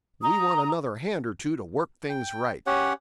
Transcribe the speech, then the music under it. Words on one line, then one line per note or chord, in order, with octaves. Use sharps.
We want another hand or two to work things right.'
A#5 D#6
G5
C#4 G4 C#5 F#5